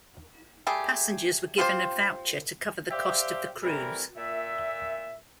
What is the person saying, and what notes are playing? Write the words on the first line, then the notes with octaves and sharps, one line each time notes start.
Passengers were given a voucher to cover the cost of the cruise.
G3 A3 G4 G#4
C4 F4 G4 C5
G4 C5 D5 E5 F5 G5
E3 G3 A3 C4 A#4
A#2 E5